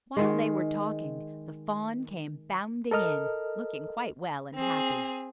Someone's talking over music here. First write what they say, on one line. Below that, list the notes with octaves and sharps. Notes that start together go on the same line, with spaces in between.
While they were talking, the fawn came bounding in, looking quite well and happy.
D#3 G#3
A4 A#4 D#5 F6
C4 G#4